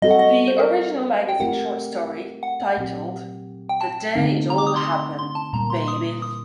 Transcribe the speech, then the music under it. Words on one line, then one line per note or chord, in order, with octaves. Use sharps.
The original magazine short story, titled The Day It All Happened, Baby!
G3 C4 F#4 A4 D#5
F#5
D#5
C5
A#4
G5
A3 C4 G4 A#4 F#5
F#5
A#2 F#3 C4 G4
G5
A5
D3 A3 C4 D#4
A#5
D6
D#6
C6
C6
A5
A#2 G3 A#3 A#5
C6
D#6
D#6